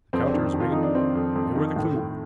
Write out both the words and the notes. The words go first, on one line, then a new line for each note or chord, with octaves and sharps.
The counters, Wigan, they were the clew.
F2 C4
D4
D#3 C4
D#3
F4
F2 D#4
D4
D#3 C4
F2
F2
D#3
A2
A2